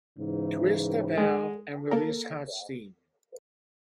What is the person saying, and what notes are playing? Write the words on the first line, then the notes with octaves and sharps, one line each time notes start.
Twist the valve and release hot steam.
G#2 C#3 E3
G#3
A#3 A4 A#4